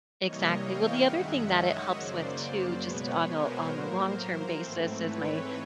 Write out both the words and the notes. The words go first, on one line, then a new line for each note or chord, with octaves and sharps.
exactly, well, the other thing that it helps with too- just on a on a long term basis- is my
C3 E3 G3 A#3 C#5 D#5
F5 G5
F#2 D#3 G#3 E5 F#5
C#5 D#5
F#2 C#3 F#3 A#3 C5 D5
B2 G#3 B3 B4 C#5
A#4 C5
A2 F#3 A#3
G#2 E3 A3 C4
B4 C#5